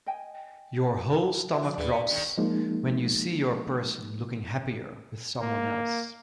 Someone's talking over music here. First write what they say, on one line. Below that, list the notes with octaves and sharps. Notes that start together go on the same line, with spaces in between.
Your whole stomach drops when you see your person looking happier with someone else.
D#5 G5 G#5
F#4 C#5 E5
F3 D4
D#2 D3 G#4 B4
B6 C#7
D#3 G#3
F3 G#3 A#3 D#4
A#3